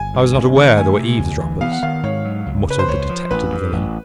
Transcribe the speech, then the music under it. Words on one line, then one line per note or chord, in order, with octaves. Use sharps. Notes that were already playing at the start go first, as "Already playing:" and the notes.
'I was not aware there were eavesdroppers,' muttered the detected villain.
Already playing: G1 G#5
G2
G1
D#3
A3 G#5
C3
D2
E3
B3 F5
F#5
D#3 F5
G#2 C#5
F#3
C#2
C#3 B4
C5
C#2 C#5
F3
A1 B4
G2
A1